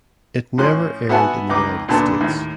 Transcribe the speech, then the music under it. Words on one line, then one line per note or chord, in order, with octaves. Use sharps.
It never aired in the United States.
A2 F3 C#4 C6 F#6
B3 F#4 E5 F#5 G#5 A5
C#2 D#4 B4 D6
D2 A#2 D3 B3 A5
D#2 A2